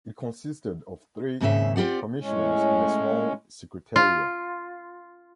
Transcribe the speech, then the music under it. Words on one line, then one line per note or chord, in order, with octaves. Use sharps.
It consisted of three Commissioners and a small secretariat.
D#2 G#2 C#3 C4 C#4 E5
C4 F4 G4 D5 F#5
A2 G#3 C#4
F4